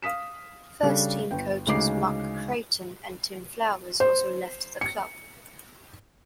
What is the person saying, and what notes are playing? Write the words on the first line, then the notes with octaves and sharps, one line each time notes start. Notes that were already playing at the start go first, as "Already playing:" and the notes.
First team coaches Mark Creighton and Tim Flowers also left the club.
F5 D#6 B6 E7
C#3 G3 D4 A4
G1 G5
D2 C#3 G#3 D#4 D6 C7
C5
C#7